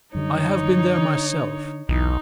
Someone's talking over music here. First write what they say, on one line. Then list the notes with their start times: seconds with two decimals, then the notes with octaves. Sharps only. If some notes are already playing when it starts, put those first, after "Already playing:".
I have been there myself.
0.15 F#2 D3 G3 D#4 C#5
0.98 D3
1.89 B1 E2 E3 D#4